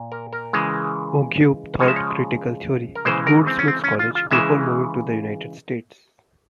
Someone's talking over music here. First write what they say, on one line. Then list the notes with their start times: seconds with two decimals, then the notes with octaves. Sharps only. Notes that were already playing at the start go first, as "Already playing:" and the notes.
Oguibe taught critical theory at Goldsmiths College before moving to the United States.
Already playing: A#2
0.12 A#4
0.33 A#4
0.53 C#3 E3 G#3
1.79 C#3 F3 G#3 C#5
1.88 E5
1.96 C#5
2.95 A#4
3.05 C#3 E3 G#3 C5
3.27 A#4
3.47 C4
3.59 C#4
3.68 C4
3.84 C#4
3.99 F4
4.15 F4
4.31 C#3 E3 G#3 E5